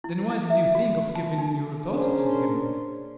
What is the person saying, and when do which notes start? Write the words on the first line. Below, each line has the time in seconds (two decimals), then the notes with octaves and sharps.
"Then, why did you think of giving your daughter to him?"
0.04 E4
0.30 E4
0.50 E5
0.75 F#4
1.15 A5
1.38 D#4
1.90 C#4 D4 G#4 A#4 C5